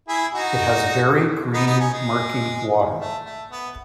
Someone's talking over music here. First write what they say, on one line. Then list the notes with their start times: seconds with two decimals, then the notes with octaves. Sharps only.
It has very green murky water.
0.08 E4 G#4
0.34 D#4 F#4
1.54 B3 D#4
1.66 B3 D#4
1.80 C#4
1.93 G#3
2.99 A3
3.25 A3
3.51 B3